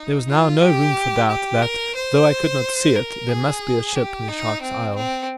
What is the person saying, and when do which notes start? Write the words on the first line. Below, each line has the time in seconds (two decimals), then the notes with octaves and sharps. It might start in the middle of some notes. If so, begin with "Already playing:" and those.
There was now no room for doubt that, though I could not see it, there must be a ship near Shark's Isle.
Already playing: D#4
0.29 F4
0.62 G4
1.29 G4
1.63 A#4
1.95 C5
2.96 A#4
3.29 G#4
3.95 G4
4.29 D#4
4.62 C4
4.95 C4